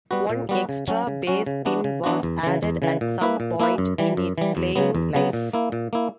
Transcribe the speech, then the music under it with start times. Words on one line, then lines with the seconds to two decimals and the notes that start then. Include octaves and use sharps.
One extra bass pin was added at some point in its playing life.
0.11 G3 B3 F#4 B4
0.30 A#2
0.49 G3 B3 F#4 B4
0.69 C#3
0.88 F#3 C#4 F#4
1.07 C#3
1.27 F#3 C#4 F#4
1.46 C#3
1.65 E3 B3 D4 F#4
1.84 C#3
2.04 E3 B3 D4 F#4
2.23 E2
2.43 C#3 E3
2.63 E2
2.82 C#3 E3
3.01 A#2
3.21 A#3 E4 B4
3.40 A#2
3.60 A#3 E4 B4
3.78 F#2
3.98 E3 G3
4.17 F#2
4.38 E3 G3
4.57 E2
4.76 C#3 F#3 B3
4.95 E2
5.14 C#3 F#3 B3
5.33 A#2
5.53 A#3 E4
5.72 A#2
5.93 A#3 E4